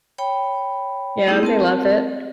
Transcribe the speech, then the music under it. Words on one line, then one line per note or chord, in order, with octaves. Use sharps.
Yeah, they love it.
C#5 G5 B5
A3 B3 D#4 E4 G#4
C4 A#4 A5